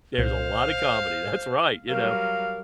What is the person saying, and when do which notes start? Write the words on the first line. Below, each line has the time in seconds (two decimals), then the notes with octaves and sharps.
There's a lot of comedy, that's right, you know.
0.18 C2 A#2 C5 F5
1.89 F#3 G3 A#4 F5